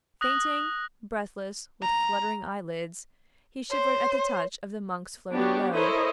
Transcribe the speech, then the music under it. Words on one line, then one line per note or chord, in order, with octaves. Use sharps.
Fainting, breathless, with fluttering eyelids, he shivered at the touch of the monk's floating robe.
D#6 F#6 A#6 F#7
A#5
C5 C#5
B3 D4 F#4 G4 C#5
E4 A4 A#4 C5 C#5 D#5